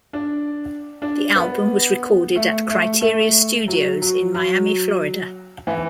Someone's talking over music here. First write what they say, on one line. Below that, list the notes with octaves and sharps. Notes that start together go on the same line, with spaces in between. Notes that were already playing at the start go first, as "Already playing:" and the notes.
The album was recorded at Criteria Studios in Miami, Florida.
D4
D4
B3
A3
A3
A3
F#3
F#3
F#3
E3